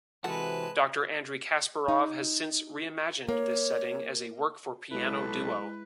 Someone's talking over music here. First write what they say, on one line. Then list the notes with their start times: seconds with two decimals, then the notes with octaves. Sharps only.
Doctor Andrey Kasparov has since re-imagined this setting as a work for piano duo.
0.24 C3 E3 G#3 F#4 A4 B4 F#5 A5
1.88 D#4
3.29 A#3 C#5
4.92 B1 G#3 E4 A4 B4